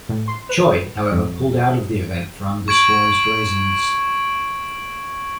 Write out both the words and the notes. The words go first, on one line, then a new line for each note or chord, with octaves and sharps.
Choi however pulled out of the event for undisclosed reasons.
A2
C6
B4
F2
C#6 G#6 D7 F#7